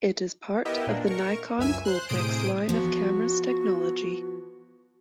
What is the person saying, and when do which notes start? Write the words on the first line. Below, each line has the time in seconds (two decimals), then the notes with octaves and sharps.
It is part of the Nikon Coolpix line of cameras Technology.
0.65 B3 E4 G4 A#4 D#5 E5
0.87 A#2 A#3 D4
1.07 A#4 C#6
1.58 C#2 F#2 E5 G#5 E6
1.85 C5 C6 F#6
2.09 A2 C3 G#4 C5 D#6 D7
2.69 F3 B3 F#4